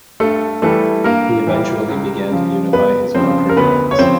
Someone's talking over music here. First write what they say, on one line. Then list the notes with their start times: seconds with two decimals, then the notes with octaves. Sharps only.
He eventually began to unify his conquered lands.
0.20 G2 A3 A4
0.62 E3 G3 A3 A4
1.04 G2 A#3 A#4
1.47 E3 G3
1.89 C#2
2.31 C#3 F3
2.73 C#2 B3 B4
3.15 C#3 F3 C4 C5
3.49 A#4
3.57 D2 B3 B4
3.91 C#5
3.99 C#3 F3 C4 C5